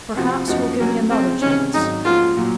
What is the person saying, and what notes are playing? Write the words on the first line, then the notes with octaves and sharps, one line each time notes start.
"Perhaps you will give me another chance?"
C3 F3 C4 F#4
F#2 F3 A#3 D#4 F#4
C3 F#3 A#3 C#4 F#4
C#3 G#3 C4 D#4
C2 C3 D#3 G#3 C#4 D#4
G#1 G#2 F#3 D#4
G#2 F3 A#3 C#4 F4 F#4
A#2 F#3